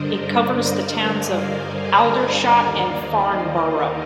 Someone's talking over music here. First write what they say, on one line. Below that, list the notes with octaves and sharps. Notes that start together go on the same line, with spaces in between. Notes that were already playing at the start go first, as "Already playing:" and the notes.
It covers the towns of Aldershot and Farnborough.
Already playing: G2 D3 A#4 C5 D5 D#5
A#4 D5
D5 F5
F5 G#5
F5 G#5
D#2 D#3 D5 F5
C5 D#5
A#4 D5